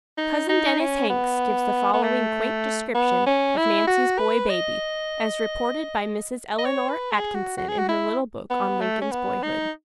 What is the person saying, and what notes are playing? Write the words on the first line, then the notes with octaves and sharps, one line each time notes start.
Cousin Dennis Hanks gives the following quaint description of "Nancy's boy baby," as reported by Mrs. Eleanor Atkinson in her little book on "Lincoln's Boyhood."
D#4
D#4
C#4
B3
B3
A3
B3
C#4
E4
F#4
B4
D#5
D#5
C#5
B4
G#4
F#4
F#4
G#4
F#4
E4
B3
A3
C#4
B3
D#4